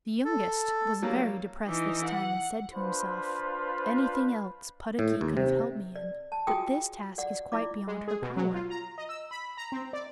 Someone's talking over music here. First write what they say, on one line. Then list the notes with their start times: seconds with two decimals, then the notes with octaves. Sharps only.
The youngest was very depressed this time and said to himself, 'Anything else Puddocky could have helped me in, but this task is quite beyond her power.
0.25 A4
1.02 F#3 G3 A#3
1.66 E3 D#4
2.05 F#5
2.73 D4 F4 B4 C5 B5
4.99 A2
5.21 D#2
5.37 C3
5.96 D5
6.32 A5
6.47 F4 F#4 G#4 G5 G#5 D#6
7.18 D5 F#5
7.52 E4 F4 D5 D6
7.87 G#3
8.08 G#4
8.22 B2
8.36 F#3
8.54 F4
8.70 A#5
8.98 D#5
9.09 E6
9.31 B5
9.57 A#5
9.72 C4
9.93 D5